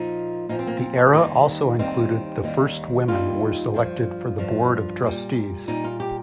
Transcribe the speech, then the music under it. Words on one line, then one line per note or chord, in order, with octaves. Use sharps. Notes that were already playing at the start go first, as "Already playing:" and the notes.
The era also included the first women were selected for the Board of Trustees.
Already playing: A#2 F3 D#4
A#2 F3 D#4
C4
A#3
C4
D#2 D#3 G3
D#2 D#3 G3 C4
D#2 D#3 G3
D#2 D#3 G3 F4
G2 F3
G2 F3
A#2 G3
A#2 G3 D#4
F4
G4